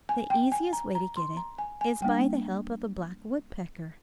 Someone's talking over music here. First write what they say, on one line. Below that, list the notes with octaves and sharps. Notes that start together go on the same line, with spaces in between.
The easiest way to get it is by the help of a black woodpecker.
G#5
G5
G#5
A#5
A#5
C6
A#5
G#5
G#5
G3 A#3 D4 G5